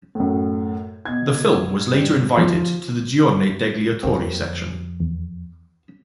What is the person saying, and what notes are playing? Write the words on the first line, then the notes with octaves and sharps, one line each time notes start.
The film was later invited to the Giornate degli Autori section.
F#2 A2
B2 G#6
G2
F3
F2 F#3 A#3 C4
E2